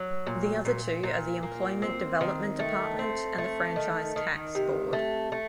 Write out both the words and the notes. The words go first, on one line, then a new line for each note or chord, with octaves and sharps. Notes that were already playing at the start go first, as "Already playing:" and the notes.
The other two are the Employment Development Department and the Franchise Tax Board.
Already playing: F#3
A#2
A#2
A#2
A#3
C4
D#3
A3
C4
A3
D#3
D#3
C3
A3
A3